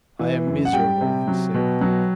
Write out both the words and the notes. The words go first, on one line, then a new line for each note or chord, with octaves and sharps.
"I am miserable," he said.
E3
F#2
F#5
G3 G5
C3
F#3
B2
F#3